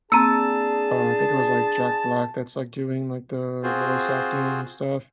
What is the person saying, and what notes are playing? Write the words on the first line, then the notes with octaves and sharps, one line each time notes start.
uh, I think it was, like, Jack Black that's, like, doing, like, the voice acting and stuff.
A#3 C4 D4 G#4 A5 A#5 E6
C4 F4 F#4 G#4 C5